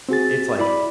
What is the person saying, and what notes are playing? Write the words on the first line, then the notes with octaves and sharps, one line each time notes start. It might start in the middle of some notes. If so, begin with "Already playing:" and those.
it's, like,
C4 F#4 G#4 A6
E4 D5 B5